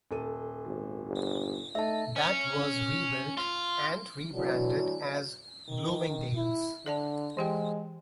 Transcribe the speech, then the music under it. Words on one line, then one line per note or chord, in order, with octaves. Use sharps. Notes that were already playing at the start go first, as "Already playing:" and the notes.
That was rebuilt, and rebranded as Bloomingdale's.
D#1 A4 D#7
G#1
G1
A3 D#4 E5 A5
C#4
F4
D2 D3 E3 F#3
D#3
E4
D3 A4 D5 A5
E3 G#3 G4 G5